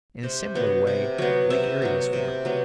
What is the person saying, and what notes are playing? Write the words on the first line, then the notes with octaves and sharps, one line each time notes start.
In a similar way Lake Erie was formed.
C3 C5
F#3 B3
C3
F#3 B3
C3 E5
F#3 B3
C3
F#3 B3